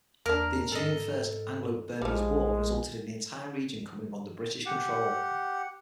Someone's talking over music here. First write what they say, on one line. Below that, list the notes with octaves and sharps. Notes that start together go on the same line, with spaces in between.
The ensuing First Anglo-Burmese War resulted in the entire region coming under British control.
E2 A#3 D4 A#4
G#2 A4 D#5
A#1 F3 G3 G#3
G4 F#5